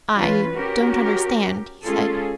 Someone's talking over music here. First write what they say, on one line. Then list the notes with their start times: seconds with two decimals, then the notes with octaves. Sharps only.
"I don't understand," he said.
0.15 E3 C#4 F4 B4
0.55 C#4 F#4 G4 A#4
1.84 G#3 C#4 F4 G#4 A4